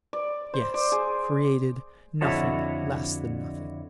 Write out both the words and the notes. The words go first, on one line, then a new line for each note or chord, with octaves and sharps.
Yes, created nothing--less than nothing.
D5
C5
D5
G#4
F2 D3 E4 F#4 C#5 A5